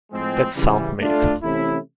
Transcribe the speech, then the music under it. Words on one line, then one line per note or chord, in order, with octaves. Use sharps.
That's sound mate.
A2 F3 G#3 C4
C#3 E3 G3
A3 D4 F4
C3 E3 A3 C#4 E4